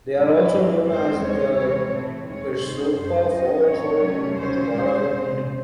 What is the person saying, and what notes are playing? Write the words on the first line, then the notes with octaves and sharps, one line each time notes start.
They are also known as the Gersoppa Falls or Jogada Gundi.
G#2 F#3 C4 E4
G#2 E3 C4
G#2 D#3 G#3 C4 C5
D#2 D#3 G#3 C#5
C3 E3 G#3 C4 C#5
A2 E3 A3 C4
D#2 D#3 G#3 C4 C#5
G#2 D#3 G#3 C4 C5
F#2 C#3 G#3 C#4 C5
D#2 D#3 F#3 C#4 D#5
A2 E3 C4 C#5
C3 F#3 A3 C#4
D#2 C#3 F#3 C#4 C5
C3 D#3 G#3 C#4
E2 C#3 G#3